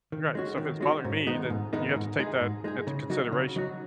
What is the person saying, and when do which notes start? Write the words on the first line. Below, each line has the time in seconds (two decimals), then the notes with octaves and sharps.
Right, "So if it's bothering me, then you have to take that into consideration."
0.12 D#3
0.35 G#3 C#4 F#4
0.58 D#3
0.81 G#3 C#4 F#4
1.05 G#2
1.27 D#3 G#3 B3 D#4
1.50 G#2
1.73 D#3 G#3 B3 D#4
1.95 G#2
2.19 G#3 D#4 G#4
2.41 G#2
2.64 G#3 D#4 G#4
2.87 C#3
3.10 F#3 D#4 F#4
3.32 C#3
3.56 F#3 D#4 F#4